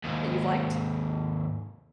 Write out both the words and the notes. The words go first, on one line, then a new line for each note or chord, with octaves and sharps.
that you've liked?
D#2 G#2